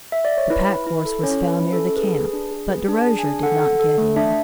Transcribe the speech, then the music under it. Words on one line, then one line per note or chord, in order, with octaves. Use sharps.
The pack horse was found near the camp, but Derosier did not get in.
E5
D5
C#5
E4 B4
E4
E4
A4
C#4 C#5
C#4
B4
E4
A4
C#4
A4
G#4 B4
G#4
D4
G#4
G#4 B4
D4
A5
G#4
G#5
D4
A4 F#5
A4
A4
A3
D4 E5